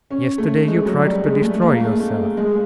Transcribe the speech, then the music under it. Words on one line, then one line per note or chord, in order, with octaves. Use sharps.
Yesterday you tried to destroy yourself.
C#4
A3
G#3
F#3
G3
G#3
A3
A#3
A3
A3
G#3